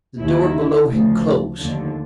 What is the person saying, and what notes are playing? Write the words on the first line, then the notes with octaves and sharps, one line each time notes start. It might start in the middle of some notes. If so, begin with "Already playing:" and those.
The door below had closed.
D#2 D#3 E4
D2 C#3 F3
D#2 D3 F3